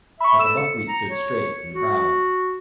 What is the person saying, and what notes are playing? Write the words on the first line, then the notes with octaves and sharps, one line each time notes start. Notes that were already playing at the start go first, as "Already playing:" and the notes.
But the buckwheat stood straight and proud.
E5 B5 C#6
A4 E6 E7
C#7
A#5
C#5
F#4